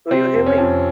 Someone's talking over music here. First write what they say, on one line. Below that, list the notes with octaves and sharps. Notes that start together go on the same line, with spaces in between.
Do you hear me!
C3 C4
F2
C#4
F2